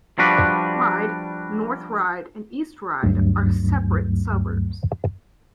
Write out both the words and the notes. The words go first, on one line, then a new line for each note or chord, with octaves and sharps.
Ryde, North Ryde and East Ryde are separate suburbs.
F3 G3 D4 F#4 B4
D2 G2 F#3 A3